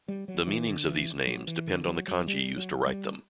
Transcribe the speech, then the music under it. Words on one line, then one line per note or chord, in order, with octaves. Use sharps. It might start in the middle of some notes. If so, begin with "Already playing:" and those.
The meanings of these names depend on the kanji used to write them.
G3
F#3
E3
D3
E3
F#3
E3
D3
F#3
F#3
G3
F#3
G3